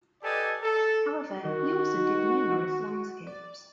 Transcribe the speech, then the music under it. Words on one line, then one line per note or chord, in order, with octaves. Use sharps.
However he also did numerous landscapes.
G4 A4 B4 D5 D#5 G#5
A4
D#3 F#4
D5